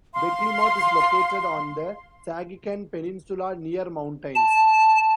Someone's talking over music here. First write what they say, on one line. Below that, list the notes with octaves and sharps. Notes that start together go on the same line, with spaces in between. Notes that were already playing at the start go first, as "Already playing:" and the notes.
Beklimot is located on the Sagikan Peninsula, near mountains.
F5 C6
A5